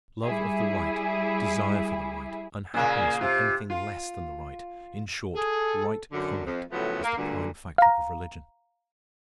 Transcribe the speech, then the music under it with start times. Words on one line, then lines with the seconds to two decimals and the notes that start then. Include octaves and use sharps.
Love of the right, desire for the right, unhappiness with anything less than the right--in short, right conduct, is the prime factor of religion.
0.24 G3 E4 G#4
2.74 A#2 C#3 A#3
3.21 C3 F4
3.70 F4
5.35 G#4 A4
6.11 F#2 D3
6.46 F2
6.71 A2 C#3 F3 F#3 A3 B3
7.03 A#3
7.17 D2 G2 A#2 D3
7.78 F5 A#5